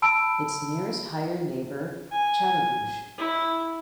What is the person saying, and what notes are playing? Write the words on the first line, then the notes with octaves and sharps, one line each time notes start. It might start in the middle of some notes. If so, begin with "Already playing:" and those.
Its nearest higher neighbor Chaturbhuj.
A5 B5 E6 D7
G#5
E4